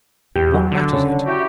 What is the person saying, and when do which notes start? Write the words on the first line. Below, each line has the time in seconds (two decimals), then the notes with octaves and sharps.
But what matters it?
0.36 E2 G4
0.54 F#3
0.71 D3
0.93 C#3
1.26 E4 F#4 G4